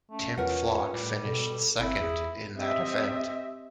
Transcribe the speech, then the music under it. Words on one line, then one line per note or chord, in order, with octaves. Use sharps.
Tim Flock finished second in that event.
A3 C#4
E2 C#4 F4 A#4 B4 F#5
A2 G3
B2 A4
G1 C4 E4
E2 G#4
C4 G4 D#5 E5